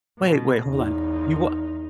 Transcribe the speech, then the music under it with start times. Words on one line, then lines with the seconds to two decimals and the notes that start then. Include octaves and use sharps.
Wait, wait, hold on, you wha
0.19 B2
0.66 E2 D#4